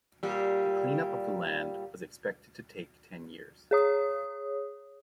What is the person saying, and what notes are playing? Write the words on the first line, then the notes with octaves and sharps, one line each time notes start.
The clean up of the land was expected to take ten years.
A#2 G3
G#4 C#5 D#6